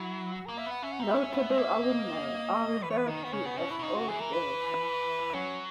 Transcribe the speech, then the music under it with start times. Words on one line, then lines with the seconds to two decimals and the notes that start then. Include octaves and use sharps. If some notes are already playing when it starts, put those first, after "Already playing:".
Notable alumnae are referred to as Old Girls.
Already playing: F#3 E4
0.32 F#4
0.46 A#3 A#4
0.58 E5
0.66 B3 F#5
0.83 C#4 E5
0.92 F#5
1.00 D#4 E5
1.10 B3
1.16 C#4
1.32 B3
1.50 G#3
1.58 A#3
1.84 D#5
2.83 E3 B4
2.90 C#5
2.98 B4
3.08 D#3 D#4
3.24 B3
3.33 C#3 C#4
3.46 B3
3.58 B2 C#4
3.71 E4
3.79 B2
3.83 C#3 D#4
3.96 F#4
4.08 E3 G#4
4.21 A#4
4.33 B4
5.33 F#3 C#4